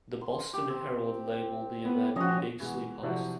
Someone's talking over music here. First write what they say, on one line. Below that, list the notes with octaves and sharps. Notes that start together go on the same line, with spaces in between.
The "Boston Herald" labeled the event "The Big Sleep Heist".
C6
G4
C4
B3
F3 C#4 F#4 D#5
B2 E3 G#3 F#4
C3 F3 F#3 D4 E4 F#4